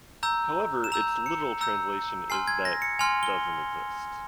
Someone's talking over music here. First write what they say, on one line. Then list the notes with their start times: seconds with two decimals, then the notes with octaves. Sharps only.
However, its literal translation is That doesn't exist.
0.23 A#5 E6 G6
0.84 E7
0.92 A#5 E6 G6 F7
1.26 C#7
1.61 A#5 E6 G6
2.30 G#5 C6 F6 C7
2.47 G#6
2.65 A#6
2.82 C#7
2.99 G#5 C6 F6 F7
3.23 G7